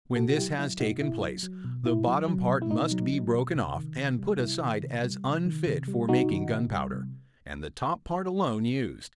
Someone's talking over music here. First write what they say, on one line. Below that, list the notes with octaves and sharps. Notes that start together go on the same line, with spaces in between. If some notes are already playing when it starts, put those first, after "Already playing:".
When this has taken place, the bottom part must be broken off and put aside as unfit for making gunpowder, and the top part alone used.
B2 F#4 A4
F#4
F#3 E4 G4
F#3 E4
B2 D#4 F#4
B2 E4
F#3
F#3
B2
B2 E4
F#3
F#3
B2
E4
B2 D#4
F#3
F#3
B2
C3
D#3
C3
G3
C3 E4
D#3
C3
G3
C3
D#3
C3
G3
C3 D#4 F#4
D#3
C3
G3
C3